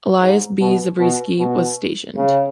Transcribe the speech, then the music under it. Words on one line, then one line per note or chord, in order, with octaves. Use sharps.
Elias B. Zabriskie, was stationed.
G#2
B2
B2
B2
C#3